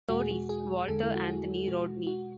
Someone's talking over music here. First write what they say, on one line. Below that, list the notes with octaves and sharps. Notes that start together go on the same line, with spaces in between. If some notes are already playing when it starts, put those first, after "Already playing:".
Stories: Walter Anthony Rodney.
E2 B2 G#3 F#4
G#4
F#4
G#4
E2 D3 G#3 A4
E4
F#4
G#4
B2 G#3 F#4
F#4